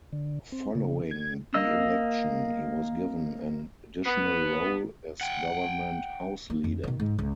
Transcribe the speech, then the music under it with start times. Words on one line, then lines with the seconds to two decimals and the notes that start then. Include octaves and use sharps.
Following the election, he was given an additional role as Government House Leader.
0.13 D3
0.52 C4
0.75 C#3
1.11 G#6
1.54 A#3 D#5 E6
4.06 B3
5.21 F#5 G5
6.50 A#3
6.64 F2
6.83 B2 D#3
7.00 G#2
7.19 C#2